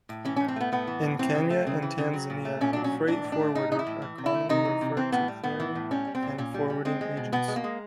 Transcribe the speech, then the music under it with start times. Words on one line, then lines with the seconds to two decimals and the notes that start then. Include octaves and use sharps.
In Kenya and Tanzania freight forwarders are commonly referred to clearing and forwarding agents.
0.09 A2
0.25 E3 C#4
0.36 A2 C#4
0.48 C4
0.56 A3 B3
0.72 A2 B3
0.87 E3
1.03 A2
1.19 E3 C4
1.35 C#3
1.50 A3
1.67 C#3
1.82 E3
1.98 C#3
2.14 F#3
2.30 A#2
2.45 A3
2.61 A#2 C#4
2.73 F#3 D4
2.84 C#4
2.92 A#2
3.07 E3 D4
3.24 A2
3.32 D4
3.40 A3
3.55 A2 D#4
3.71 E3 D#4
3.79 E4
3.87 A2
4.02 E3
4.18 C3
4.26 E4
4.34 A3
4.49 C3 D#4
4.65 E3
4.81 C3
4.97 E3 C4
5.12 A2 B3
5.28 G3
5.44 A2 B3
5.60 E3
5.75 A2
5.91 G3 C#4
6.07 G3
6.15 C4
6.22 A#2
6.38 A#2 C#4
6.54 G3
6.70 G3
6.85 G#3 C4
7.01 G#3
7.17 B2
7.32 B2 B3
7.48 G#3
7.56 A#3
7.64 G#3